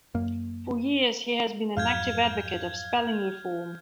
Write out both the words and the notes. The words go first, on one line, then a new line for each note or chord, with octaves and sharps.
For years he has been an active advocate of spelling reform.
F#2 A#3
F2 G#2 F#3 F5 F6 G6 G#6